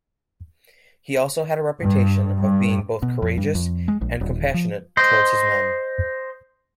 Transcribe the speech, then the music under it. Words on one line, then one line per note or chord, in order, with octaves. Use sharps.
He also had a reputation of being both courageous and compassionate towards his men.
G2
G2
B2
F2
G2
F2
G#3
A#1
D#1
F3
C5 D#5